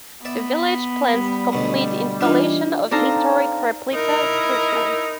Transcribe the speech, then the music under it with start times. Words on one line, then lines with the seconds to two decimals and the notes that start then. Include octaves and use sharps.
The village plans to complete installation of historic-replica streetlamps.
0.25 B3 D5 E5
1.13 G3
1.52 D2 B2 F#3
2.21 E3 D4 D#4 F4 E5
2.91 C4 D4 D#4 A4 F5 A#5
3.95 D#4 E4 A#4